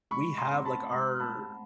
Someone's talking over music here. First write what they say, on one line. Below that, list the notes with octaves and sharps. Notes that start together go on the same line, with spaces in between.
we have, like, our,
G#3 B5 C#6
A#5 C6
C4
A5 B5
G#3 A#5 C6
A5 B5
C4